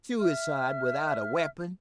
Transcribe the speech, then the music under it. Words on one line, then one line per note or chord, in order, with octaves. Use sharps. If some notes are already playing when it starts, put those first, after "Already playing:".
Suicide without a weapon!
E5 F6